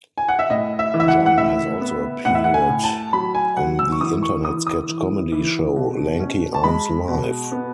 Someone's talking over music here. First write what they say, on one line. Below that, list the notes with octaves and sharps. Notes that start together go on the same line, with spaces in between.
John has also appeared on the internet sketch comedy show Lanky Arms Live.
G#5
F#5
E5
A2 D#5
E5
E3
E5
F#5
F#5
A2 E5
B3
A2 F#5
E5
F#5
G#5
A2
A5
F#3 B5
G#5
F#3 F#5
E6
C#6
E3 D#6
C#6
E3 D#6
D#6
E3
E3
B2
C#4
A5
G#3 B5
B2
B3